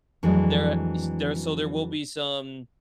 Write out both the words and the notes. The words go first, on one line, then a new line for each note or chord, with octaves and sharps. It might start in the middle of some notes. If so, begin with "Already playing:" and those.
there ish there so there will be some
F2 E3 F#3 G#3 A3 D4